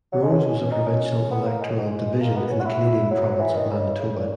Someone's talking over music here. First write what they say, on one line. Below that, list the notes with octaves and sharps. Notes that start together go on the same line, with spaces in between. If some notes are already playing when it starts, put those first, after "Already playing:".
Rose was a provincial electoral division in the Canadian province of Manitoba.
F#3
G#3
C#4
D#4
C#4
B3
A#3
G#3
F#3
G#3
G#3
G#3
A#3
B3
C#4
F#4
E4
F#3
F#3
E3
D#3
C#3
C#3
A#2